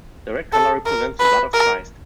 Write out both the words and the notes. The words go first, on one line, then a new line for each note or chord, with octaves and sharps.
The red colour represents the blood of Christ.
A4
A#4
B4
A#4